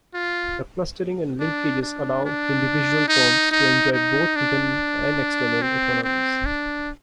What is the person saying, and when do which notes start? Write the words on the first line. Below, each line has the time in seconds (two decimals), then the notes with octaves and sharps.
The clustering and linkages allow individual firms to enjoy both internal and external economies.
0.14 F4
1.40 D4
1.82 D4
2.25 D4
3.08 D#4
3.51 D#4
3.92 D#4
4.36 D4
5.62 C4
6.04 C4
6.45 D4